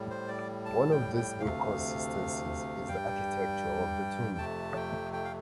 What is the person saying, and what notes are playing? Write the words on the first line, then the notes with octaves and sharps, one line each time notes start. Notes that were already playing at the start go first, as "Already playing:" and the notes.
One of these inconsistencies is the architecture of the tomb.
Already playing: A2 G3
C5
D5
A5
G5
G5
D2 C3 A3 F5
G2 G3 G5
F2 C3 A3 A5
G5
G5
F5